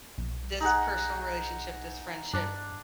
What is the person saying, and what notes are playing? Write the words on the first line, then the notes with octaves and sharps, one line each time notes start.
this personal relationship, this friendship,
B1
D#4 G#4 F#5
G2 D4